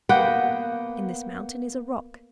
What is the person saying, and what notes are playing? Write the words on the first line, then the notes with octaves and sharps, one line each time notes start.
In this mountain is a rock.
A#3 B3 F#5 G5